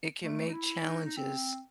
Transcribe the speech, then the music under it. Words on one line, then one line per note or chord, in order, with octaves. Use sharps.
it can make challenges
A3
D#4
E4
D#4
D#4
C4